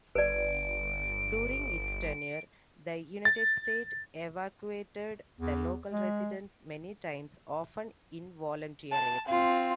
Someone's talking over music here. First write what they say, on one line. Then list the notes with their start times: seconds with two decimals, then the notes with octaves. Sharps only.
During its tenure, the United States evacuated the local residents many times, often involuntarily.
0.15 G1 B4 D5 D7
3.25 A6
5.40 E2
5.92 G#3
8.92 A5
9.28 C4 F4